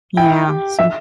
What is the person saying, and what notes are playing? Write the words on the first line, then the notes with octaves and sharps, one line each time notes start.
yeah, so
E4 G5
G4
E5